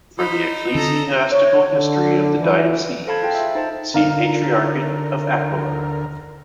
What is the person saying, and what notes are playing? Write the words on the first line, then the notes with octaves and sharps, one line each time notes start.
For the ecclesiastical history of the diocese, see Patriarchate of Aquileia.
D#4 C5 B5
D3 C4 A4 A#5
C#5
D3
E3
A4 C5 F5 A5 B5 G#6
F4 G#4 G5
E5
D#4 C5 A5
D3 D#4 A#4 F5